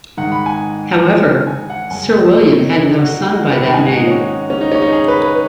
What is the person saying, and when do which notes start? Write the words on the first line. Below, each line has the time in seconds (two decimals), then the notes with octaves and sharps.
However, Sir William had no son by that name.
0.17 G#2 D#3 F#5
0.32 B5
0.46 G#5
1.47 G#5
1.70 F#5
1.91 F#2 C#3 G#5
2.33 C#5
2.56 D#4
2.77 D#4
2.99 F#4
3.21 G#4
3.31 F#4
3.42 G#4
3.53 B4
3.64 G#2 D#3 B5
3.74 G#5
3.86 F#4
3.95 D#4
4.07 C#4
4.50 C#4
4.61 D#4
4.72 C#4
4.82 D#4
4.93 G#4
5.08 B4
5.22 B4